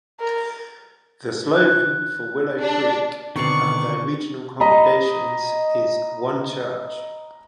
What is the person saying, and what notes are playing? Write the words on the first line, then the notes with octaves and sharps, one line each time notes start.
The slogan for Willow Creek and their regional congregations is One Church.
A#4
F#6
D4
B2 D3 D#3 C4 D5 C#6 C7
D#5 A#5 B5